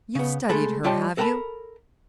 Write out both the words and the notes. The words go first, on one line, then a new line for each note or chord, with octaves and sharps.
You've studied her, have you?
C#3 B3
G#3 A3 A4 B5
G3 F4 C#5 D#5 G5 A5
A4 A#4 F#5 G5 A5 B5